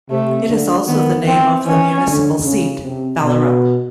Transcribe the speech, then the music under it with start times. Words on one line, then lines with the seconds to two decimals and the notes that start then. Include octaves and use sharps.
It is also the name of the municipal seat, Ballerup.
0.10 C3 A3
0.50 D3
0.88 D#3 B3
1.27 C4
1.66 E3 C#4
2.06 D3
2.44 C#3
2.83 C3
3.22 B2